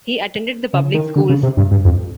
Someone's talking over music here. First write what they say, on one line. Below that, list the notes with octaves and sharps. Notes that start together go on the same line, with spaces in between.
He attended the public schools.
C#3
D#3
D3
C#3
C3
G2
G2
F2